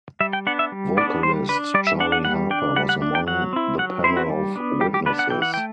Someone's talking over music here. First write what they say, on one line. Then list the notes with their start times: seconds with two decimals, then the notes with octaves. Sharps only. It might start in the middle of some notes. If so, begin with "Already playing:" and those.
Vocalist Charlie Harper was among the panel of witnesses.
0.20 G3 E5
0.33 G5
0.47 B3 D4 F#5
0.59 E5
0.72 G3
0.97 B3 D5
1.01 D4
1.23 G3 C5
1.49 D4 B4
1.74 G3 D5
1.87 E5
2.00 D4 F#5
2.12 F#5
2.25 G3 F#5
2.51 D4 G5
2.76 G3 F#5
2.89 F#5
3.02 D4
3.15 G5
3.27 F#3 F#5
3.53 C4 E4
3.78 F#3 F#5
4.04 C4 E4 C5
4.17 F#4
4.30 G3
4.56 B3 D4
4.80 G3 G4
4.94 G4
5.06 B3 D4 B4
5.19 F#5
5.30 E3 G5
5.42 F#5
5.54 A3 G5